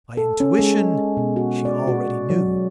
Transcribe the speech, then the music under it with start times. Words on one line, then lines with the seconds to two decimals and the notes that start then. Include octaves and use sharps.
By intuition, she already knew.
0.17 A4
0.40 C#4
0.59 G#3
1.17 B2
1.36 F#4
1.65 D5
1.87 F#4
2.30 F#3